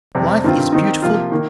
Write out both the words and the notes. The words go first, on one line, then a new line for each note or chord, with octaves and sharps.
Life is beautiful.
F2 C3 G3
G2 D#3 C4 F4
D#3 C4 D#4
C3 F3 A#3 F4
D#3 A#3